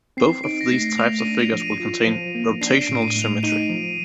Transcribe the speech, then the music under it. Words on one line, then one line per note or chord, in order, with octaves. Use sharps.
Both of these types of figures will contain rotational symmetry.
C4 C7
D#4 D7
A#6
A3 C7
A3 F7
D#7
D4
F7
F3
D#7
F4
F3
A#3
D4 C7
D7
A2
D#7
A3
F7
D#4 D#7
F3